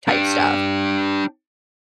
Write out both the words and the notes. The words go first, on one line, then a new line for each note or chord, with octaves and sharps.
type stuff.
D4 G4